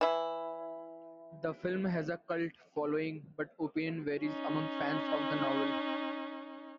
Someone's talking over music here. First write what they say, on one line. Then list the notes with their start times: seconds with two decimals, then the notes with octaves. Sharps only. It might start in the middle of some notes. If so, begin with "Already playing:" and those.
The film has a cult following but opinion varies among fans of the novel.
0.01 E3 E4
4.22 C#4 D#4